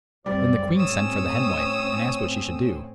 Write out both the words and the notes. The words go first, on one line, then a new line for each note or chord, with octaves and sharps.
Then the queen sent for the Hen-Wife, and asked what she should do.
F#1 F#3 G3 C4 D5
A2 C4 C#4 C#5 D#6 E6